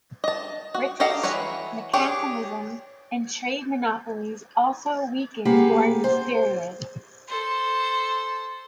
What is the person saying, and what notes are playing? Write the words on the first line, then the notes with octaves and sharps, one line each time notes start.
British mercantilism and trade monopolies also weakened during this period.
D#5 A5
F#4
G4 A4 A#4 D#5 F5
E3 E4 F#4 B4 C#5
D4 G4 G#4 C#5
A#3 G4 G#4 B4 F5 F#5
C5
A4 C5